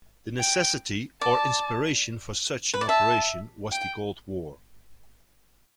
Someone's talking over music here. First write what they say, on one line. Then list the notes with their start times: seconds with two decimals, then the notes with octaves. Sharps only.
The necessity or inspiration for such an operation was the Cold War.
0.39 G5
1.21 D5 A5
2.73 B4
2.81 D5
2.88 E5 A5
3.72 G5